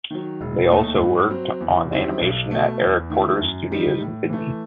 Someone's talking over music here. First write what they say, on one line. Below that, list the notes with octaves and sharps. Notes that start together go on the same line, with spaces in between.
They also worked on animation at Eric Porter's studios in Sydney.
D#3 F#3
E1
D#2 D#3 A3 D#4
G2
F#3 C4
E2
D#3 G3 C4 E4
B1
B2 A3
E2
D#3 A3 E4
F#2
D#3 G3 D#4
A2
E3 A3